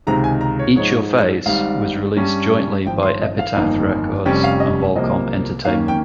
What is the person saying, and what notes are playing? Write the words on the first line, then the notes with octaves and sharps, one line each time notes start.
"Eat Your Face" was released jointly by Epitaph Records and Volcom Entertainment.
C#2 C3 D#3 G#3 A#5
G#5
A#5
C#5
G#2 F3 G#3 D#4 C#5
G#1 G#2 G3 F5
G2 G3 C#4
G#1 G2 F3 G5
C6
D#5
F5
G1 F2 D#3 A#3 D#4
F1 F2 C3 G3 C#4 G5
F5
D#5
C2 C3 F3 A#3 D#5
D#2 D#3 A#3 C#4 F5
G5